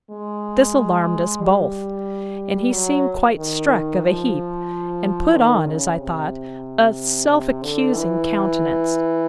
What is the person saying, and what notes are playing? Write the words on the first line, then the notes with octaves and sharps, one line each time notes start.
This alarmed us both; and he seemed quite struck of a heap, and put on, as I thought, a self-accusing countenance.
G#3
G3
F#3
D#3
F3
D#3
C#3
C3
C3
D3
E3